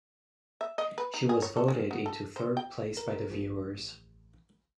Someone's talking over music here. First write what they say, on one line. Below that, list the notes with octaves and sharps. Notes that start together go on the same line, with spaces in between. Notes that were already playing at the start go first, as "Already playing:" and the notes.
She was voted into third place by the viewers.
E5
D#5
B4
D#4
G#4
C#5
A4
C#4
B3
A4
C5
G5
A#4
A1